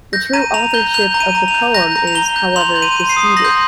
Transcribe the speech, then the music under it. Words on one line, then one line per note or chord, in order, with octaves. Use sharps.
The true authorship of the poem is, however, disputed.
G6 A#6
A#5 D#7
A#5 F7
G6 G7
G6 F7
A#5
D#7
A#5
F7
G6
G6 A#6
A#5
F7
A#5 G7
G6
C6 F7
G6
D#7
C6 D#7
C7
D#6
C6 A#6
G6